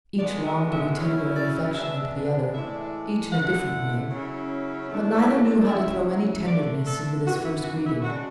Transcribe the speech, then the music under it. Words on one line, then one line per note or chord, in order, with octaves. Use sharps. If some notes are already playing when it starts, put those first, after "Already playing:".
Each longed to be tender and affectionate to the other,--each in a different way; but neither knew how to throw any tenderness into this first greeting.
D2 D3 G#3 B3 D4 D5
E5
E5
C#3 F#3 C#4 E4
D5
B2 G#3 B3 D4 E5
A2 E3 G#3 D4 E5
D5
E5
F#2 D3 A3 E4 F#5
C#3 F#3 C#4 E4
E2 B2 A3 D4
C#3 F#3 C#4 E4 E5
D3 A3 D4 D5
A4
F#2 E3 B3 E4 F#4
E4
F#4
E4
C#3 G#3 D4 F#4